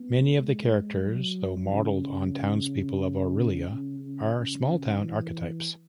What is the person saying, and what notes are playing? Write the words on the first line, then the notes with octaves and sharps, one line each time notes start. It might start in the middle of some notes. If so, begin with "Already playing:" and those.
Many of the characters, though modelled on townspeople of Orillia, are small town archetypes.
Already playing: B3
G#3
F#3
C#3
C#3
C#3
C#3
E3